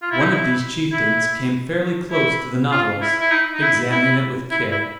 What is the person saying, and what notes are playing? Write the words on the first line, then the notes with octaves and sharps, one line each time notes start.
One of these chieftains came fairly close to the Nautilus, examining it with care.
F4
E4
D#4
E4
E4
E4
F4
E4
E4
D#4
D#4
E4
E4
E4
E4